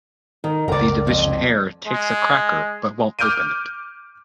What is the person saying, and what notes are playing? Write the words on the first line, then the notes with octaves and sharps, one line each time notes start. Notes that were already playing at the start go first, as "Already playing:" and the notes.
The Divisionnaire takes a cracker but won't open it.
D#3
F#1 C#2 A#4 D5
F2
G#3
D6 F6 G6 D7 D#7